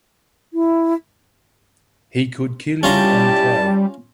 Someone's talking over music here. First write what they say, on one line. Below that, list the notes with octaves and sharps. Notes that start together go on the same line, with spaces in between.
He could kill you on clay.
E4
G3 C#4 E4 F4 G4 A5 A#5